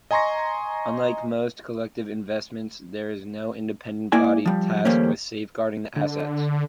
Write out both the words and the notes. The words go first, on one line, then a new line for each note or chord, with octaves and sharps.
Unlike most collective investments there is no independent body tasked with safeguarding the assets.
D#5 G#5 A#5 C6 C#6 A#6
A#3 E4 D5 G#5
F3 G3
D#2 F3 G3 A3 A#3 C#4
D3